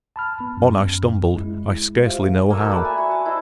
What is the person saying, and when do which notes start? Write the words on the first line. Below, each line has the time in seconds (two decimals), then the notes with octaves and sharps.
On I stumbled, I scarcely know how.
0.16 A5 B5 F6
0.40 B3
0.57 F#2 C#4
1.36 G#3 E4
2.06 F4 G4 C5 E5 F5
2.50 A#3 F#4 A4 E6
2.69 A3 B4 D5
2.85 G#5
2.98 F#4
3.11 A5
3.26 E4 G4 C5 D#5